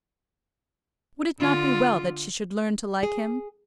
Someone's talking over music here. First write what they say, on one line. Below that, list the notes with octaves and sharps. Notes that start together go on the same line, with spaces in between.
Would it not be well that she should learn to like him?
D3 F4
G#4